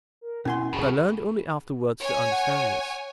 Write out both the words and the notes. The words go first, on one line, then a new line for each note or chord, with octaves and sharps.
But I learned only afterwards to understand this.
A#4
B2 C#4 E4 F#5 G#5 C6
D2 G2 C#3 G#4
C#5 G#5
F#5